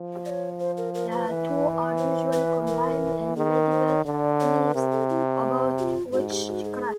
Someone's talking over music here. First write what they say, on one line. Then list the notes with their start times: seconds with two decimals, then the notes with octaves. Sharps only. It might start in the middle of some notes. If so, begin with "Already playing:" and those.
The two are usually combined in medieval beliefs about witchcraft.
Already playing: F3
0.26 D5
0.30 C#5
0.59 C5
0.78 A#4
0.95 A#4
1.12 B4
1.29 E3
1.98 C5
2.33 B4
2.67 A#4
3.36 D#3 G#4
3.54 A#4
3.71 C5
3.88 C#5
4.05 D3 D5
4.40 C#5
4.56 C5
4.65 B4
4.74 C3 A#4
4.92 A4
5.10 E4
5.78 F#4
5.83 F4
6.12 G#2 F#4
6.30 G4
6.48 F#4
6.65 G#4